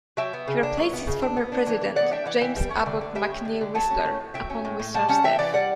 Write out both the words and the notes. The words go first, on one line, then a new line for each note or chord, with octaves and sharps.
He replaced its former president, James Abbott McNeill Whistler, upon Whistler's death.
F#3 E5 G5
B3
C#3
D4
F#3
B3
C#3
D4
B3
D4
E3
E3
B3 D5 F#5
D4 E5 G5
E3 D5 F#5
E3 E5 G5
G3 E5 G5
C#4
D3
D3
G3 E5 G5
C#4
D3
D3
F#3 F#5 A5
C#4
A2
A2
F#3 E5 G5
C#4
A2
A2
G3 F#5 A5
C#4 F#5 A5
E3 E5 G5
E3 D5 F#5
G3 D5 F#5